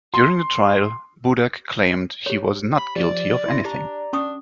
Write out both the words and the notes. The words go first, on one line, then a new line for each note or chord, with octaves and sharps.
During the trial, Budak claimed he was not guilty of anything.
C6
G4 C#5
B5
F3 G4 D5
E4 C6 A#6
D4 G4 D5 A#5
C#4 D4 C#6 D#6